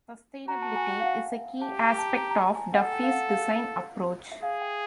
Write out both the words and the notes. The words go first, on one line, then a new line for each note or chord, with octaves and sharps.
Sustainability is a key aspect of Duffy's design approach.
F#4 A#5
A5
G#5
G5
F5
F#5
E5
G4 A5
A#5
A5
A#5
A#5
A5
G#5
A4 F#5
G5
F5
F#5
F5
E5
G#4 F5
G5